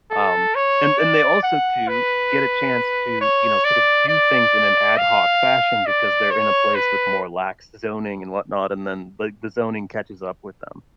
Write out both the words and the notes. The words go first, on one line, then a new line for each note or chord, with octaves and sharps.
Um. And and they also, too, get a chance to, you know, sort of do things in an ad hoc fashion because they're in a place with more lax zoning and whatnot, and then, like, the zoning catches up with them.
A4
C#5
D5
F#5
B4
C#5
D5
D5
F5
D5
C#5
B4